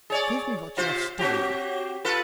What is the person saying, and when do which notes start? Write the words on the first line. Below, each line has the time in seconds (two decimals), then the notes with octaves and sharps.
'Give me what you have stolen!'
0.10 G#4 C#5 D5
0.77 C3 F4 C5
1.19 C4 F#4 G4
2.05 F4 A4 B4